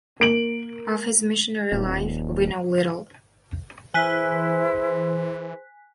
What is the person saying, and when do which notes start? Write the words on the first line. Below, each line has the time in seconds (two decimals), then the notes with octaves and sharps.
Of his missionary life we know little.
0.20 A#3 D7 F#7
1.72 D#1
3.94 E3 E4 G#4 B4 C5 G#5 F#6 B6